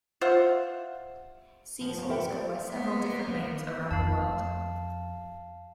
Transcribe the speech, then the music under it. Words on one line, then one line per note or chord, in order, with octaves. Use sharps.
Seesaws go by several different names around the world.
F4 C5 E5 F#5
F3 B3
F#2 C#3 C4
G4 A4 A#4 E5 F#5 G5
D5
A#3 B3
F2 F5 A5